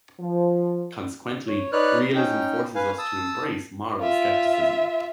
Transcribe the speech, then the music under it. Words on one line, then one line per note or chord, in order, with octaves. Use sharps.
Consequently, realism forces us to embrace moral skepticism.
F3
C#5
D#4 B4 C#5 D5 F6 F#6
C#4 D#4 G5
B4 F5 G#5
A5 D#6 E6
F4 E5